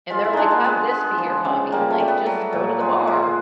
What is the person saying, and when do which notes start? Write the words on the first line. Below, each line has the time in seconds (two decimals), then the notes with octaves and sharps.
And they're like, "Have this be your hobby, like, just go to the bar."
0.10 G#3 F4
0.24 E4
0.33 G#3 D4 D#4
0.51 A#3
0.65 G#3 B3
0.91 G#3
1.18 F3
1.45 C#3
1.72 G3 A#3
1.90 A3
2.00 G3
2.08 B3
2.26 F#3
2.53 A#2
2.80 G#3
3.07 G#3